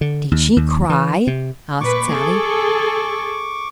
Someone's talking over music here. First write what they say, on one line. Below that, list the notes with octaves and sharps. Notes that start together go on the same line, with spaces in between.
"Did she cry?" asked Sallie.
D3
D#2
D#2
E3
C3
A#2 B4 C#6 D6
G#4 A4